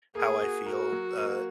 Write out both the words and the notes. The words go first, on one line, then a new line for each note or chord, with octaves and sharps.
how I feel. Uh,
A#3 G#4
F#4
F#4 A#4
F#3
A#3